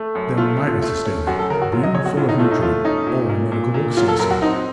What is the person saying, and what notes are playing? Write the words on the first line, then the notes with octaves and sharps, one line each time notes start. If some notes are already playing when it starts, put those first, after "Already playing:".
They're, mighty sustaining--brim full of nutriment--all the medical books say so.
Already playing: A3
F#2
A3 F4
A3
F4
A3
C#4
F#2 F#4
A4
C#3 A#4
F#4
F#3 F4
D#5
C#3 C#5
F#4
A2 F4
D#4
A3 F4
D#4
A3 F4
C#4 D#4
A#2
A#2
A#2
A#2
F#3 F4
A4
F#2 A#4
F#4
C4 D#4